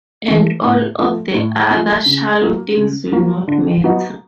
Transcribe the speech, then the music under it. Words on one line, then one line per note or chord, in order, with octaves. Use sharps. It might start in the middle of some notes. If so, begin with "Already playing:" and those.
And all of the other shallow things will not matter...
E3 A3
A2
F3 A3
A2
F3 A3
C#3
F#3 A#3
C#3
F#3 A#3
D3
F#3 B3 D#4